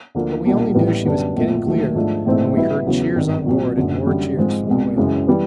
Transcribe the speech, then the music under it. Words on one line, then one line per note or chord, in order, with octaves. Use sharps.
But we only knew she was getting clear when we heard cheers on board and more cheers from the whaler.
D2 D3 F3 A#3
B1 A#2 G3 A#3 D4
A1 A2 E3 G3 B3
F#2 D3 G3 B3 D4
B1 A#2 F3 A3
D#2 D#3 F#3 A3
G#2 F3 A3 D4
A#1 G#2 E3 A3 C4
B1 B2 G3 B3 E4
E2 C#3 F#3 B3 E4
G#1 G2 D#3
C2 A#2 F#3
F#1 F#2 D3
F#2 D3 G3
G#2 F3 G#3 C4
C2 B2 G#3
F#2 C#3 E3 G#3
E3 G3 B3